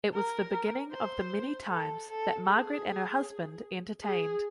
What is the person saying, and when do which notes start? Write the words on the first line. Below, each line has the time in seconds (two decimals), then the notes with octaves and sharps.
It was the beginning of the many times that Margaret and her husband entertained.
0.14 A#4
0.92 C5
1.70 A4
2.08 A4
2.47 G#4
4.04 G#4